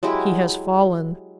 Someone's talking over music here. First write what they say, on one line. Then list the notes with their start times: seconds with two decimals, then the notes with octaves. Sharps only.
He has fallen.
0.03 F#3 G#3 E4 G4